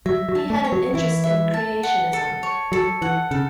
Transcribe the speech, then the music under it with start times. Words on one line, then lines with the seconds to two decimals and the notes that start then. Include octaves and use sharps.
He had an interest in creationism.
0.06 F#3 E5
0.29 F#3
0.35 A5
0.50 A3
0.65 C#5
0.72 F#3
0.94 E3 E4
1.24 E5
1.54 A5
1.83 F#5
2.13 A4
2.43 C#5
2.72 F#3 A4
3.02 E3 F#5
3.31 C#3 A4